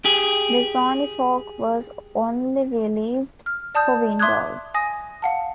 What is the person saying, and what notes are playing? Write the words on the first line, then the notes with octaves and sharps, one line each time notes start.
The Sony fork was only released for Windows.
G4 G#4
F6
D5 A5 D#6 G6
E5 C6 D6 D#6 F#6 G#6
G#5 D#6 A#6
F5 F#5 A5